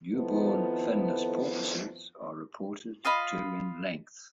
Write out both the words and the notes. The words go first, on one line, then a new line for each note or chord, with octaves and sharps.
Newborn finless porpoises are reported to in length.
F2 D#3 F3 B3 E4 A4
F4 D#5 F5 B5